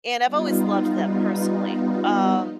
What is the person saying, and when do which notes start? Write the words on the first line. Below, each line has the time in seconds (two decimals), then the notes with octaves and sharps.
And I've always loved them, personally. Um,
0.25 G3 B3 D#4 F4